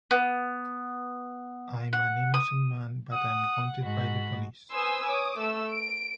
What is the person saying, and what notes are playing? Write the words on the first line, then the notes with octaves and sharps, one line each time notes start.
I’m an innocent man, but I’m wanted by the police.
B3
F#5
D#6
F#5 D#6
G#2 F#4 B5
B4 C5 G#5 C6 D#6 E6
C#5 D6 D#6
A3 E6
D7